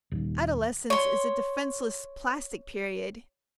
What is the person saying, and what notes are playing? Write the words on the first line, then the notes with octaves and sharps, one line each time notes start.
Adolescence is a defenceless plastic period.
D#1 D#2
C#5 C6